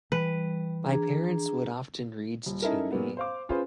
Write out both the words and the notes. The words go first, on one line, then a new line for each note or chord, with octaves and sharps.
My parents would often read to me.
E3 G3 B4
D4 G#4 A#5
D#1
C#4 D#4 E4 A4 A#4
A#2 F#3 A#3 B3
C5 F5 D6
C#4 F4 G#4 B4 C5